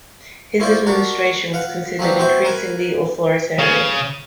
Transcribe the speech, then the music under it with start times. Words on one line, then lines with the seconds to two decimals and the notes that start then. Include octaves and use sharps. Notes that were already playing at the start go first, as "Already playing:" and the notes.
His administration was considered increasingly authoritarian.
0.60 C#4 E4 F4 C5 D5
0.86 D4 F#4 A#4
1.54 F5 F#5
1.99 F3 F#3 C4 D4
2.18 B3 C4 F#4 C5 E5
2.45 A#4 B4 G#5
3.59 C#3